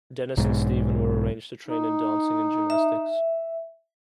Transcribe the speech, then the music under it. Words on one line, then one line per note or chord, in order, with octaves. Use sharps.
Dennis and Steven were arranged to train in dancing and gymnastics.
B1 G#2
D#4
E5